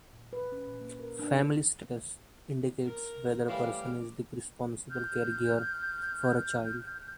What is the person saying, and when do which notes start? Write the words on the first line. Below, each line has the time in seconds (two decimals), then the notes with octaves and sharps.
"Family status" indicates whether a person is the responsible caregiver for a child.
0.13 A#2
0.33 B4
0.52 C#4
0.66 A#2
0.81 A#3
0.99 A#4
1.19 D4
1.32 A4
2.85 A#4 A#5
3.48 A2 E3 G3 F5 D6
4.89 F6 G6